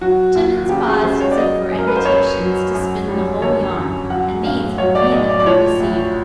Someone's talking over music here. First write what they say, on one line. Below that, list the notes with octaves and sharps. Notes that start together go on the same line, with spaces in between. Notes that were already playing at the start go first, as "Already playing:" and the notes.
Timmans paused as if for invitations to spin the whole yarn, and these he immediately received.
F#3 F#4
D#2
C#3 G4
G#4
C#3 C5
C#5
D5
F#3 D#5
F#2
A#4
B4
C5
F#2 C#5
F#3
F#2
G3
D3 C#5
F#2
F#3 F#5
A2 F5
F#3 C#5
D5
D5
A2 D#5
D5
D5
F3 C#5
D2